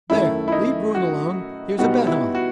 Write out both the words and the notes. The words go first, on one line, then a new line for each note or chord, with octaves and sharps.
"There, leave Bruin alone; here's a bet on."
F#2 D#3 A3 E4
E4
D#4
F#4
B2 G3 B3 D#4 F#4
E4
F#4